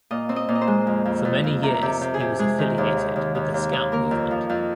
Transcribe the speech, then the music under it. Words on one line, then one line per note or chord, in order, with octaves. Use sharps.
For many years he was affiliated with the Scout Movement.
A#2 D#5
C4
D#5
A#2
D#5
C5
G#3
F2
F2
F2
F2
C3 A#4
C3
C3
G#4
C3
G#3 G#4
D#3
D#2
D#3
D#2
D#2
D#2
D#2
A#3 A#4
F2
F3
F2